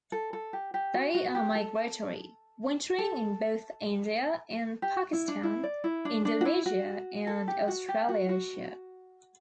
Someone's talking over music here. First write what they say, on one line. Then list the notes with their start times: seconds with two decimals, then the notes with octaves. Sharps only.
They are migratory, wintering in both India and Pakistan, Indonesia and Australasia.
0.12 A4
0.33 A4
0.53 G4
0.74 G4
0.94 F#4
1.15 F#4
1.35 G4
1.55 A4
2.99 A4
4.82 G4
5.13 E4
5.28 D4
5.43 E4
5.63 D5
5.84 E4
6.05 D4
6.25 D4
6.41 F#4
6.45 E4
6.66 F#4
7.27 A4
7.48 G4
7.68 F#4
7.88 G4
8.09 F#4
8.29 F#4